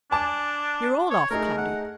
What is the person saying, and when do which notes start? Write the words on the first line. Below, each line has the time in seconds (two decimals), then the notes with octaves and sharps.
You're all off, Cloudy.
0.11 D4 G#5 A5 D6
1.11 C#5
1.31 A3 D#4 G#4 A#4
1.57 F#5